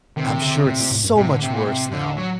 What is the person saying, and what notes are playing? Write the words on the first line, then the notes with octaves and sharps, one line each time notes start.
I'm sure it's so much worse now.
C3 D#3
D#3
D3
D3
A#2
A#2
A2
G2
A2 C3
D3
C3
A#2
C3
D3
F#3